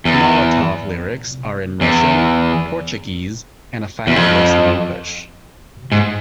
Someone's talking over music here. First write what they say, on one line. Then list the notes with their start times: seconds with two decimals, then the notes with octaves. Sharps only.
"Molotov" lyrics are in Russian, Portuguese, and a final verse in English.
0.05 E2
1.81 E2
4.07 E2
4.16 F2
5.92 G#2